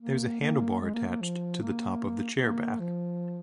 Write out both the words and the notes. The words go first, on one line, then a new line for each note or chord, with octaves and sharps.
There is a handlebar attached to the top of the chair back.
A#3
A#3
G#3
A#3
A#3
F3
A#3
A#3
F3